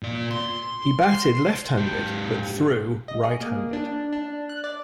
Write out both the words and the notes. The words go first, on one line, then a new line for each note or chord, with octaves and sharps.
He batted left-handed but threw right-handed.
A#2 D5
C6
G#2 G4
D#5
G#4
A#3
D4
D4
F#6
D5